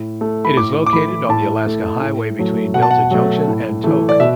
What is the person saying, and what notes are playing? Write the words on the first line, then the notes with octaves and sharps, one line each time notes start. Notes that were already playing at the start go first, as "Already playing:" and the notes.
It is located on the Alaska Highway between Delta Junction and Tok.
Already playing: A2
A3
B5
A2 D6
D6
E3 A3 B5
A2 A5
A3
A2
F#3 A3
B2 F#5
A5
F#5
F#3 A3
A2
E3 A3
D5
B2 E5